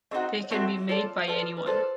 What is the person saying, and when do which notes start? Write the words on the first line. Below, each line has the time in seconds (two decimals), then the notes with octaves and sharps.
They can be made by anyone.
0.11 A3 C4 D#4 F#4 D#5
0.43 C#5
0.50 A3 C4 D#4 F#4 D5
0.89 F4 A4 C#5 D5
1.28 F4 A4 B4 D5
1.57 B4
1.66 F4 A4 C5 D5